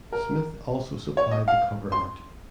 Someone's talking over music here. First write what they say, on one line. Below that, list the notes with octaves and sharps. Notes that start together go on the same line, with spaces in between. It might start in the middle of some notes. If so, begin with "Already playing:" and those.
Smith also supplied the cover art.
A#4
C#5
D#5
F5
C6